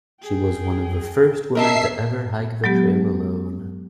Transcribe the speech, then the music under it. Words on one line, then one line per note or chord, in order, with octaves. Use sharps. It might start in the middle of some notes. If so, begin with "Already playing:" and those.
She was one of the first women to ever hike the trail alone.
G#4 G5
C#4 A#4 D#5 E5 A5 C7
F#3 G#3 B3 G4